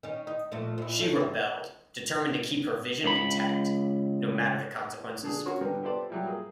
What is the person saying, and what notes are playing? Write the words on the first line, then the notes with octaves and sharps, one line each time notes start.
She rebelled, determined to keep her vision intact, no matter the consequences.
D#3 C#4
D#4
A#2 F3 A3
A#2 E4
A3 C#4
D2 C4 E5
C#2 B5
D3 D4 G#4
C#4 F#4 A#4 C#5
D3 G3 B3 A#4
B3 G4 A4 C5 D5
F#3 G3 E4
A#3 G#4